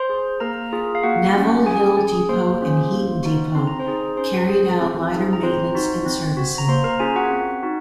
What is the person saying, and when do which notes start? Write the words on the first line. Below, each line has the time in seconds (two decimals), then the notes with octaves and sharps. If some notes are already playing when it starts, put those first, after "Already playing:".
Neville Hill Depot and Heaton Depot carried out lighter maintenance and servicing.
Already playing: C5 C6
0.09 G#4
0.40 A#3 A#4 A#5
0.73 F4 G#4
0.95 F5
1.03 A#3 F#4 F#5
1.35 C#4 F4
1.66 C#4 G#4 G#5
1.97 G#4
2.29 A#3 C5 C6
2.61 C#4 F4 G#4
2.92 A#3
3.23 D#4 F#4
3.55 C4 C6
3.67 A#5
3.80 C5 C6
3.86 D#4 G#4
4.17 C#4 C5 C6
4.49 G#4
4.80 C4
5.12 D#4 G#4
5.33 A#5
5.43 C4 C5 C6
5.75 D#4 F#4
6.05 C4
6.37 F#4
6.58 A#5
6.68 A#3 C5 C6
6.84 A#4 A#5
7.00 C#4 F4 G#4 G#5
7.16 F#4 F#5
7.31 C4
7.63 D#4 F#4